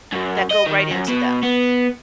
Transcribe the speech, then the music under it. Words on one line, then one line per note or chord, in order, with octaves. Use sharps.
that go right into them,
F#2
D#5
D#3
F#2
B2
B3